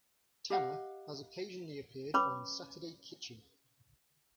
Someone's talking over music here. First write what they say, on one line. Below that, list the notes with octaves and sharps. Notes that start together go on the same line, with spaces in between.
Tanner has occasionally appeared on "Saturday Kitchen".
G4 D#5 F5 F#5
C#4 B4 C#5 B5 D6